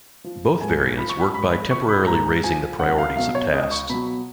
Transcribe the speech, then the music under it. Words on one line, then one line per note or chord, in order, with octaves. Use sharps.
Both variants work by temporarily raising the priorities of tasks.
F3
G#2 G#5
F3 B5
C#6
B5
G#2 B5
B5
F3 C#6
B5
G#2 A#5
F3 G#5
C#2 F#5
F5
B2 F#3 F5
C#5
C#2 D#5
C#6
B2 F#3 B5